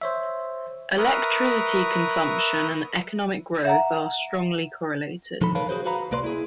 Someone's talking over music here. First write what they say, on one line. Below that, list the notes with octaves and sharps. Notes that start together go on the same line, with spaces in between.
"Electricity consumption and economic growth are strongly correlated".
C5 C#5 E5
A#4 B4 E5 C#6 D#6 F6
E5 F#5 A#5
F3 D#4 A4 B5
A#4 B4 C#5 F5 A5 B5
F#4 G#4 A4 B4 C5
F#4 B4 F5 A#5 B5
C2 A#3 B4 D5 C6
E4 G#4